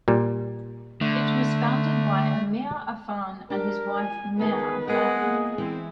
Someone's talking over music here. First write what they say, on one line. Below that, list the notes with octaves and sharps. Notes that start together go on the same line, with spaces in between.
It was founded by Emyr Afan and his wife Mair Afan.
A#2 G3
D3 A3
D4 G4 A#4
G#5
D#3 B3 G#4 B4
G#3 B3 A#4 D#5 F#5
A#3 G#4
E3 G#3 C4 E4